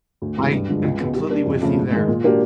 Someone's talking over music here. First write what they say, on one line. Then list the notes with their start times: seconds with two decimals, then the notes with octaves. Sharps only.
I am completely with you there.
0.22 D2
0.37 C3 E3 G#3
0.53 G2
0.69 D3 F3 G#3
0.84 C#2
1.00 B2 G#3 B3
1.14 G3
1.30 A#3 D4
1.46 F2
1.62 C#3 F3 A3
1.77 G#2
1.92 D#3 G#3
2.08 A#2
2.24 F#3 A#3 D4 G4